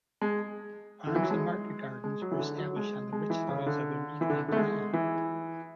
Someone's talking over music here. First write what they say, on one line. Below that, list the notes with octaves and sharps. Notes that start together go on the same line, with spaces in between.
Farms and market gardens were established on the rich soils of the reclaimed land.
G#3
D3
E3
F#3
G#3
G#3
F#3
E3
D3
F#3
G#3
G#3
E3
C#3
D3
E3
D3
D3
A3
G#3
E3